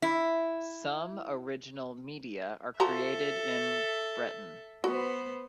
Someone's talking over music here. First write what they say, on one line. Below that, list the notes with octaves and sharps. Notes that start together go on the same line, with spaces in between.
Some original media are created in Breton.
E4
F3 F#4 A4 E5 A#5
B3 F#4 B4 C5